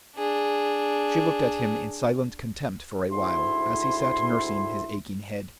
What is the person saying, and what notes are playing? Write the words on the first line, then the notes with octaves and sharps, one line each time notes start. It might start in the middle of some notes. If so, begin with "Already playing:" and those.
She looked at him in silent contempt for a while as he sat nursing his aching head.
D4 G#4
D2 G#2 E4 E5 C6